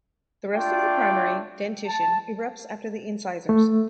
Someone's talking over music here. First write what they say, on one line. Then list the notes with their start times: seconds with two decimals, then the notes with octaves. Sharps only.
The rest of the primary dentition erupts after the incisors.
0.55 A3 D4 F4 D5 G5
1.87 A5
3.49 A3